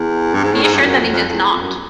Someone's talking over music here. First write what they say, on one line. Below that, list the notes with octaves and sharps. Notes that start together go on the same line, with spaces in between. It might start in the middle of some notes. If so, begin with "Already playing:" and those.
Be assured that he does not!
Already playing: E2
G2
G#2
A2
G#2
G2
F2
F#2
F2
F2
F2
E2
F2
F#2